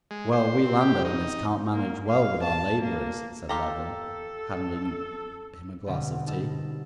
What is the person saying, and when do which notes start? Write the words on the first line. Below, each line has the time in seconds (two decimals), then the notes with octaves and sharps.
"Well, we landowners can't manage well with our laborers," said Levin, handing him a glass of tea.
0.11 G#3
0.32 C5
0.63 C4
0.81 G4
1.05 D#4
1.73 A#3
2.08 F5
2.43 A5
2.82 A#3
3.49 F4 G4 A4 A#5
5.87 B2 D3 G3 B3 C4
6.27 D#4 A5 E6